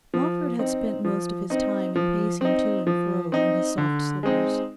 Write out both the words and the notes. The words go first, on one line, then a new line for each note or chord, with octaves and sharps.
Lawford had spent most of his time in pacing to and fro in his soft slippers.
F3
C4 D#4
F3
C4 D#4
F3
C4 D#4
F3
C4 D#4
D3
G#3 C4 D#4